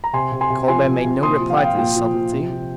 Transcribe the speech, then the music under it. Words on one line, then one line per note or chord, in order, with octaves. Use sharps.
Colbert made no reply to this subtlety.
A#5
C3 G#5 C6
C3
G#5 C6
C3
F3 G#5 C6
C3
C3
A#2 C6 D#6
F3
F5
F3 G5
F5
A#2 G5
F3
F3
C3
F3